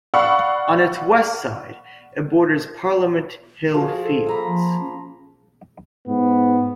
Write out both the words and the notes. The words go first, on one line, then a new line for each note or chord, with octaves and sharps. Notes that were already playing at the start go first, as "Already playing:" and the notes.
On its west side, it borders Parliament Hill Fields.
D5 F5 F#5 B5 C#6 E6
F3 F#4 G#4
A4
A#3 A#5 B5
F3
C#4
G#2 B3